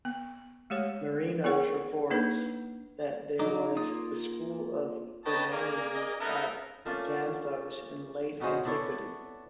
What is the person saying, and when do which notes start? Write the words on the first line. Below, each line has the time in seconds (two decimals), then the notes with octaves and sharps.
Marinos reports that there was a school of grammarians at Xanthos in late antiquity.
0.05 B3
0.70 G#3 A3 G4 C#5
1.44 B3 E4 G#4 A#4 C#5 F#5
2.10 A#3 D4 D#4 B4
3.39 F#3 D#4 D6
3.76 A#3 F4 D#6
5.26 B4 C#5 D#5 G5 A5 A#5
5.51 A#3 G#4 A#4 D5
5.94 D#5
6.20 B3 D#4 A4 A#4 E5
6.86 A3 A#3 C#4 D4 F4
8.40 B3 C#4 D#4 F#4 G#4 C5
8.65 B3 D4 E4 A4 C#5